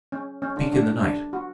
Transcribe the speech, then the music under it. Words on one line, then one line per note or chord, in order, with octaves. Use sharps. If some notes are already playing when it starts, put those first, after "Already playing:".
Speak in the night.
C#4
C#4
D4
D4
D4
F#4